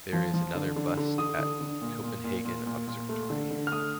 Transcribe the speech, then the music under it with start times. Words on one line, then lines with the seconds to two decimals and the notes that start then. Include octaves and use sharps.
There is another bust at Copenhagen Observatory.
0.13 F3
0.34 F3
0.55 D3
0.76 D3
0.97 D3
1.18 D3 D#6
1.39 D3
1.61 D3
1.82 A#2
2.03 A#2
2.24 A#2
2.45 A#2
2.66 A#2
2.87 A#2
3.09 A3
3.30 D3
3.51 D3
3.67 F6
3.72 A3 D#6